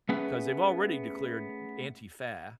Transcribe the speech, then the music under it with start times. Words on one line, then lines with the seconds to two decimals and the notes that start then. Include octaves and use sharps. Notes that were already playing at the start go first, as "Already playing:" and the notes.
'Cause they've already declared Antifa,
0.09 A3 B3 C#4 G#4 B4